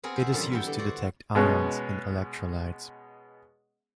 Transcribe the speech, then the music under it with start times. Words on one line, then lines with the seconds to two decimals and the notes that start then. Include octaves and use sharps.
It is used to detect ions in electrolytes.
0.03 B3 C4 G#4 A#4
0.16 C5 E5
0.32 F#2 A#2 D3 E3 F3 G3
0.52 B3 E4 G5
0.67 D3
0.78 F#4 C5 D5
1.35 B2 G#3 B3 C#4